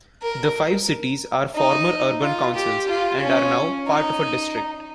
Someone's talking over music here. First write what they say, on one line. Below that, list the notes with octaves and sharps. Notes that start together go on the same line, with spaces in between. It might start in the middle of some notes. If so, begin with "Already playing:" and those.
The five cities are former urban councils and are now part of a district.
A#4
D#4
F4
G4
F4
C#4
D#4